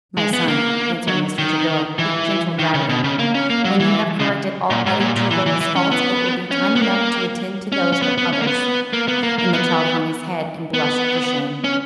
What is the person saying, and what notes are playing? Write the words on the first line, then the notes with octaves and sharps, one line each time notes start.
"My son," answered Mr. Travilla with gentle gravity, "when you have corrected all Eddie Travilla's faults it will be time enough to attend to those of others." And the child hung his head and blushed for shame.
G#3
B3
A#3
F#3
D#3
E3
D#3
C#3
B2
C#3
A#3
C#4
A#3
F#3
E3
C#3
A#2
G#2
A#2
A#2
E3
E3
E3
C#4
B3
C#4
B3
A#3
C#4
C#4
B3
B3
C#4
A#3
B3
A#3
B3
A#3
A#3
B3
B3
C#4